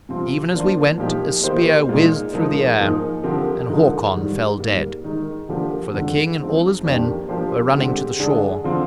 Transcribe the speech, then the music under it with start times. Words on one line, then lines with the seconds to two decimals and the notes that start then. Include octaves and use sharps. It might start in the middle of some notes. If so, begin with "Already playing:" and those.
Even as we went, a spear whizzed through the air, and Hakon fell dead; for the king and all his men were running to the shore.
0.09 C3 F3 C4 F4
0.53 F3 A#3 D4 F4 C5
0.98 A#2 F3 A#3 D#4 G4
1.43 D#3 A#3 D#4 G4 C5
1.89 A#2 G#3 D#4
2.33 F3 G#3 D#4 A#4
2.79 G#2 F3 A#3 D#4 G#4
3.23 D3 F3 C4 G4 A#4
3.68 D3 F3 G#3 D#4 A#4
4.14 G#2 D#3 G3
4.59 G#2 G3 A#3
5.04 D#3 G#3 D#4
5.49 D3 F3 A#3 D4 G4
5.94 F2 D3 G#3
6.39 F3 G#3 C4 D#4
6.84 F2 D#3 A#3 D4 G4
7.29 F3 A#3 D4 G4 C5
7.74 D3 G#3 C4 G4
8.20 D3 G#3 D4 G#4
8.64 D3 F3 C4 F4